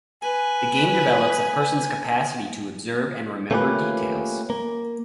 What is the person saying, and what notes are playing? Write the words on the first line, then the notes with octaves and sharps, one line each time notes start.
The game develops a person's capacity to observe and remember details.
B4 G#5
A3 A#3 C#4 F4 G4 B4
A#3